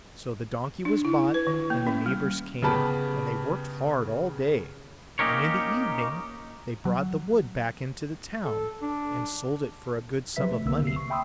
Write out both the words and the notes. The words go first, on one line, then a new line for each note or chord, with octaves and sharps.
So the donkey was bought, and the neighbours came, and they worked hard all day, and in the evening they brought the wood back into the town, and sold it for a good sum of money.
D4
E4
B4
D#3
A#3
C#4
G3
C#3 B3 G4 A5 B5
A#3 C#4 D#4 G4 A#4 C#5
F#3
A4
D4
C3 F3 F#3 B4 E5 B6
A3
B1 D3 A#3 B3 E6
C3 C7
C#6
E5 G5 B5 C6 D#6 E6